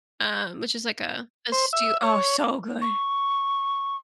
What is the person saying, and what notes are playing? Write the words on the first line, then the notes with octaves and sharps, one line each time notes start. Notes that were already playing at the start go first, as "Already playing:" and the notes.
um, which is like a a stew oh, so good.
C5
E5
C#5
C#6